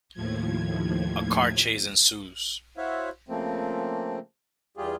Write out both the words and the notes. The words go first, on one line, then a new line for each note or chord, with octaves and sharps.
A car chase ensues.
D#2 A2 F3 G#6
E4 F#4 C5 C#5 E5 F5
C#3 F3 A3 A#3 C4
E2 G3 F4 G4 G#4